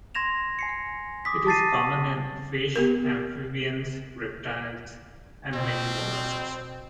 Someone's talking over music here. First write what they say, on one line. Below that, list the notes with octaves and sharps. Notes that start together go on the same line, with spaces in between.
It is common in fish, amphibians, reptiles, and many molluscs.
C6 G#6 A#6 E7 F7
G#5 C7 C#7
D6 D#6 B6
A5 D6 A6 A#6 C7 D#7
B3 G4 A#4
B2 C4